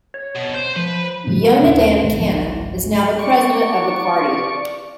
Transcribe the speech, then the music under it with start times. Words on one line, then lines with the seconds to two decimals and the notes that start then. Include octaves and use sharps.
Yonadam Kanna is now the president of the party.
0.14 C#5
0.36 B2
0.55 C5 G6
0.76 F3 B4
1.27 A2 C#3 F3
1.59 D#1 C#4
2.02 G#1 D#3
2.17 G#1 C#2 F3
3.19 D5 C#6